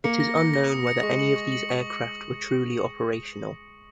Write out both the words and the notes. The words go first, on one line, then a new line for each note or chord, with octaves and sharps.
It is unknown whether any of these aircraft were truly operational.
A#3 C#7
A#6
A#6
A#6
D#6
C#7
G#3 C#6
F#7
C#6
F#7
C#6